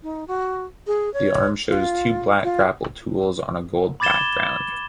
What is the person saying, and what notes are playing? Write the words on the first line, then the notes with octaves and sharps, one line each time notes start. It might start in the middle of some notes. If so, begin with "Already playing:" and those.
The arms show two black grapple tools on a gold background.
D#4
F#4
G#4
C#5
F4
F4
B5 D6 G#6 A6 E7 G7